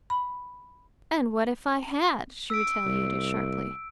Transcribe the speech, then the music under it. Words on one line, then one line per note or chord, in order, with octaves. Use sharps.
"And what if I had?" she retaliated sharply.
B5
E6 B6 D7
C2